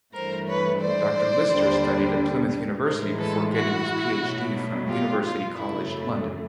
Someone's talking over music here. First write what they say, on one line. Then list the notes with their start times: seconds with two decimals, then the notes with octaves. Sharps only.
Doctor Lister studied at Plymouth University before getting his PhD from University College London.
0.14 G2 E3 A3 A#4 C5
0.48 B4 C#5
0.82 C5 D5
1.49 D#2 D3 G3
2.85 A2 E3 G#3 A#4 C5
3.19 A4 B4
3.53 E4 F#4
4.21 B2 F#3 A3
4.88 F4 G4
5.23 F4
5.57 F#2 C#3 F#3 A3 E4